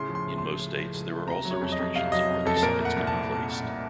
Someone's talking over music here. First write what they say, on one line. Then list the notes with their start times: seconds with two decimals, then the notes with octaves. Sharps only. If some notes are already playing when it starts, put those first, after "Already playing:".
In most states, there are also restrictions on where these signs can be placed.
Already playing: A2 C#3 C6
0.09 F3
0.15 C6
0.27 C#2
0.38 A3 C6
0.61 C#3
0.77 F3
0.94 C#2
1.10 A3
1.27 C3 A#5
1.45 F#3
1.51 C#5
1.61 F2
1.72 D#5
1.79 F2
1.96 C3 F5
2.12 F#3 D#5
2.29 F2
2.45 F2 A4
2.56 A4
2.63 A#2 A#4
2.79 A3
2.85 F#5
2.96 C2
3.07 A5
3.14 C2
3.30 A#2
3.48 A3
3.64 C2